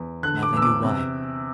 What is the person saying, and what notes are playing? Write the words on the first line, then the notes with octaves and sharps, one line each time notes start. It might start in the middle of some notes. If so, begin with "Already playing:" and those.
Now they knew why.
Already playing: E2
D3 F#6
D6
E2 E6
D6
C3